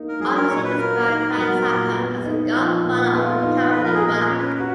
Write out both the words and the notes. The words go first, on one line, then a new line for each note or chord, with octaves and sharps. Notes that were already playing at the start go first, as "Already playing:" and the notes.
Allmusic described Frank Zappa as the "godfather" of comedy rock.
Already playing: A#3 D#4
A#4
F#3 G#4
A#4
A#2 C#5
B4
A#3 A#4
D#4
B4
F#3 A#4
A#2
B3
D#4
F3
A#2
B3 F4
D#4
F3 B4
A#4
G#4
A#2 A#4
C#4 C#5
B4
A#4
B4
F#4